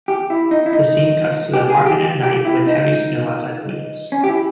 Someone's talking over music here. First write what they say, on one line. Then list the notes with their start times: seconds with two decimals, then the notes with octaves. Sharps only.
The scene cuts to the apartment at night with heavy snow outside the windows.
0.08 G4
0.30 E4
0.51 D#4
0.66 E4
0.73 D#4
1.53 G4
1.70 G#4
1.86 G4
2.23 G4
2.45 E4
2.67 D#4
4.12 C#4
4.24 G4
4.29 E4